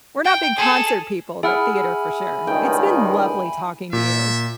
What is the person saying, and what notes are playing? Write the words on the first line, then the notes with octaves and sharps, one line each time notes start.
We're not big concert people, but theater for sure, it's been lovely talking to you.
G5
G#4 A4
E4 G#4 F#5 G#5 B5 F6
C#2 G2 D#3 G5
A#2 E5